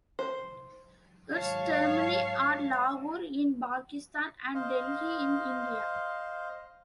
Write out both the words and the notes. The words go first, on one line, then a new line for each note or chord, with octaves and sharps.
Its termini are Lahore in Pakistan and Delhi in India.
C5
G#2 F#3 C#5 F5 A5 C7
C5 D#5 F5